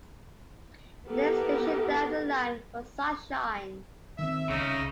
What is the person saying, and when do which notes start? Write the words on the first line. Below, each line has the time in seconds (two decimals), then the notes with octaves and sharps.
The next station down the line was Sunshine.
1.08 B3 E4 G4 A4 A#4
4.19 D#3 C4 E5
4.50 C2 C#3 D#4